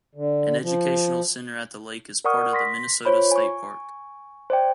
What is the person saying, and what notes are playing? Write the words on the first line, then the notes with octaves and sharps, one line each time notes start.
An educational center at the lake is part of the Minnesota state park.
D3
F3
A#4 D5 F#5 C#6 D#6 F6
C6 A#6 B6
F4 C5 C#5 B5
G#5 C#6
C5 D5 G5